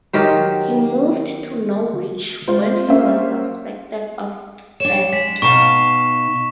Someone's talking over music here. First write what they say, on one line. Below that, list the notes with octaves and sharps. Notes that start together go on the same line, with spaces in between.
He moved to Norwich when he was suspected of theft.
D#3 F#3 G4 C5
G#3 F4 C5
A#3 C#4 D4 C5 E5 F5
D4 C#5 E7
G#3 B6
B2 D#4 F5 C#6 E7